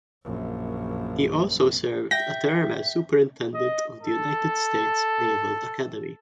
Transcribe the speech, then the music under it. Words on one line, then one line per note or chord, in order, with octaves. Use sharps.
He also served a term as Superintendent of the United States Naval Academy.
A#1 F#2
E5 G5 A#6
D#5
A4